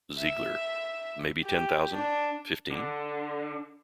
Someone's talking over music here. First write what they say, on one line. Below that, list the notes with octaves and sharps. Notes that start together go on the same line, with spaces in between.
Ziegler: Maybe ten thousand - fifteen?
E5
G4
D4
D3